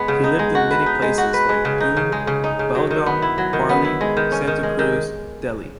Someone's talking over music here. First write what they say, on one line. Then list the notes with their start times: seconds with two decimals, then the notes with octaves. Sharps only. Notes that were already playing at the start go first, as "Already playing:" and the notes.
He lived in many places like Pune, Belgaum, Varli, Santacruz, Delhi.
Already playing: G#3 B3
0.08 C#3
0.24 D#4
0.39 G#3
0.55 F#4
0.71 B4
0.86 D#4
1.02 G#3
1.18 F#4
1.34 B4
1.49 G#3
1.65 C#3
1.80 D#4
1.97 C#3
2.12 G#3
2.27 C#3
2.44 D#4
2.59 C#3
2.75 F#3
2.91 D#3
3.06 B3
3.22 E4
3.38 F#3
3.53 D#3
3.69 B3
3.85 E4
4.01 G#3
4.17 D#3
4.32 C#4
4.47 D#3
4.63 G#3
4.79 D#3